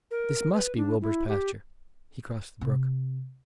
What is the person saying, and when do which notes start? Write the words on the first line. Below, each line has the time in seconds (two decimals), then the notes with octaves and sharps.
"This must be Wilbur's pasture!" He crossed the brook.
0.11 A#4
0.53 B4
0.76 D4
1.01 E4
1.28 G4
2.61 C3 C4